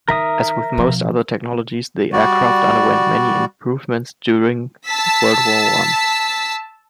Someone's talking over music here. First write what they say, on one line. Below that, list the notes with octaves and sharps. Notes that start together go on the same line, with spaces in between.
As with most other technologies, the aircraft underwent many improvements during World War One.
D#3 A#4 E5 D#6
B2 F3
G3 F#4 D5
A5 E6 B6